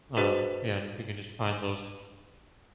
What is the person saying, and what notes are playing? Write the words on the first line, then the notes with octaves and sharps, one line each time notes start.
um, yeah, and if we can just find those,
D4 F#4 G#4 B4 C5 D#5